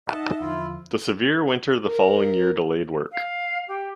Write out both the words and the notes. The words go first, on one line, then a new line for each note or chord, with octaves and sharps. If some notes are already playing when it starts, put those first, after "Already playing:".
The severe winter the following year delayed work.
D#4 D#5 E5 F#5 A5
E2 D3 F3 E4 F4
A#4
F5
G4